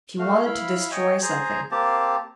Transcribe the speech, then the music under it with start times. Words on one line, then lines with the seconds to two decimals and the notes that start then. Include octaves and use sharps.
She wanted to destroy something.
0.19 A3 F#4 F5
0.45 E4 F5 B5
0.91 C#5 D#5 G5 G#5
1.22 G#4 C5 G#5 A#5
1.71 A#3 C4 G4 A5